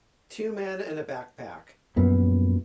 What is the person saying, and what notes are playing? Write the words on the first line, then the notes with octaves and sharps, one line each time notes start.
Two men and a backpack.
A#1 F#2 B3